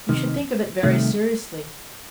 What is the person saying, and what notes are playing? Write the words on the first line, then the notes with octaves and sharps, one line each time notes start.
You should think of it very seriously.
F2 C3 D#3
C2 C3 D#3 A3